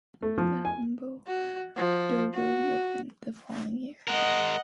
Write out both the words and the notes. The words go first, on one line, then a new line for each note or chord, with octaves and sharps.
The Hombu dojo re-opened the following year.
A3
F3
G#5
F#4
F3
F#4
G#3 A#4 D#5 F#5